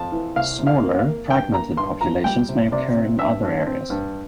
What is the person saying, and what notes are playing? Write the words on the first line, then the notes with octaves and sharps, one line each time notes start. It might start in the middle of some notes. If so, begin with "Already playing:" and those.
Smaller, fragmented populations may occur in other areas.
Already playing: F2 A5
E3
C2 F5
C3
F5
A#3
F5
A#3
G2 G5
A#3 A#5
G2 C6
F3 A#5
G3 G5
C3
C3 D5
C4
G2 E5
G2
C4
G2